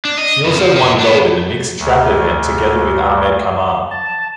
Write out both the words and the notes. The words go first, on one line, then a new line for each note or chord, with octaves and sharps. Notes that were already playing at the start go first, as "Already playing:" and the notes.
She also won gold in the mixed trap event together with Ahmed Kamar.
D4
D#5
F2 C#3
F3
F#3 C#4
B3 D4
D2
A5